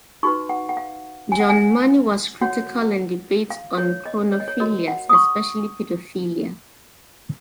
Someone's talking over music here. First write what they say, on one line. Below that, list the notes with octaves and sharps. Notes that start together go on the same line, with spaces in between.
John Money was critical in debates on chronophilias, especially pedophilia.
D#4 F#4 B4 C#6
F#5
F#5
F5
G#5
F#5
G#5
F#4 C#5 F#5
F5
C#5
D#5
C#5
D#5
C#5
F#4 A#4 C#5 D#5
F#5
D#6
C#6